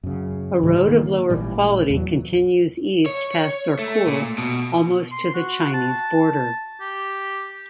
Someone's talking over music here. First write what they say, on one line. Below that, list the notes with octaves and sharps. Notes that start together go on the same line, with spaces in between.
A road of lower quality continues east past Zorkul, almost to the Chinese border.
F#2 C#3
G#2 C#3 E3 G3
D#3 A#3
A1 A#2 E3 G3
E2 F#3
C#5
A3
A#2
B2
C6
F#4
A5
G4